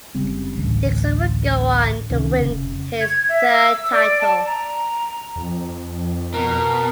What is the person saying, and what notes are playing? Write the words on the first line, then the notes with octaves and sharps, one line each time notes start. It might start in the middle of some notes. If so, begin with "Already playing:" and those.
Dixon would go on to win his third title.
F#1 C#3 G3 C4
A1 D2 A2
C#2 C3 D#3 C#4
F1 C#3
G#6
E5
E6
D5
A5
A#5
F2
B2 A#4